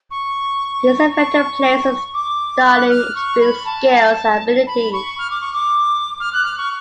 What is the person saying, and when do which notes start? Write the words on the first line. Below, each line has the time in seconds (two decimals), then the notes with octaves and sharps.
These affect the player's starting attributes, skills, and abilities.
0.11 C#6
1.12 C#6
2.14 D6
2.65 F#6
2.90 F6
3.15 C#6
3.41 B5
3.66 A5
4.67 B5
4.93 C#6
5.19 F6
5.30 D6
5.41 C#6
5.53 D6
6.20 F6
6.33 F#6
6.45 F6
6.57 C#6